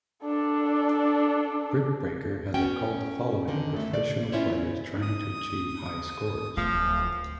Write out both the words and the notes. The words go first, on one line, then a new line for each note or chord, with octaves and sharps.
"Brick Breaker" has a cult following of professional players trying to achieve high scores.
D4 A4
B3 C#4 F#4 G5
D3 D#3
A3
D5
C#4 E4 F4 C5 C#5
D#6
D1 F3